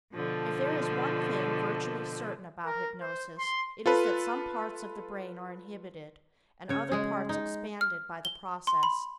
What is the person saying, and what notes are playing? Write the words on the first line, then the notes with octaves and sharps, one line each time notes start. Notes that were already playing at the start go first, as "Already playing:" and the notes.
If there is one thing virtually certain about hypnosis it is that some parts of the brain are inhibited and other parts expanded by the process.
B2 D3 F3
A#4
C5
C6
F4 A4 B4
C#3 C#5
G#3 G#4
D#4
F6
G7
C6
B5